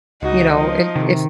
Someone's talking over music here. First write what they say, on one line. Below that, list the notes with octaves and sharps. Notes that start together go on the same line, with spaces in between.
you know, if if
C#2 D#4 F#4 D#5
F3
C3 D#3